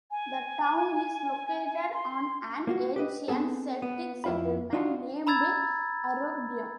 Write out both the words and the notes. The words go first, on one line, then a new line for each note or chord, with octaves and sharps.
The town is located on an ancient Celtic settlement, named "Arrubium".
G#5
C6
A#3 F4 F#4
G4 B4 D#5
B3 C4 G#4 A4
B3
F2 E4 F4 F5 B5
D4 D#4 F4 F#4
A#5 B5 E6 G#6 A6